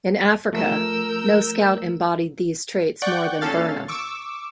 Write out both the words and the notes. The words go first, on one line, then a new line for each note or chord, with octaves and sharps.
In Africa, no scout embodied these traits more than Burnham.
F3 A3 A#4 E6 G6
D5 F#5 G5 C#6 F#6 G6
A#2 C#4 A4 F5 A6
C#6 D6 E6